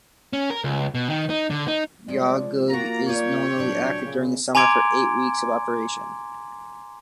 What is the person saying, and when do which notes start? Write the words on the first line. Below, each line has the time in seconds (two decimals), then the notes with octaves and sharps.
Yawgoog is normally active during the summer for eight weeks of operation.
0.33 C#4
0.50 A#4
0.64 C#2
0.95 B2
1.10 D#3
1.30 D#4
1.50 D3
1.68 D#4
2.08 F3 G#3 D5
2.69 A#3 F4 F#4 D5 A#5
3.08 D#2 F4 G4 C#5 D5
3.58 D2 A#2 F#3 D4
4.03 C#3
4.55 G#5 A#5 C6 D6 G#6 D7